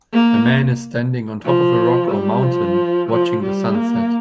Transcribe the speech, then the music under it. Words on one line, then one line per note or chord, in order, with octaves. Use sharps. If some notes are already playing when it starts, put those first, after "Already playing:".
A man is standing on top of a rock or mountain watching the sunset.
A#3
F3
G3
F3
F3
G3
A#3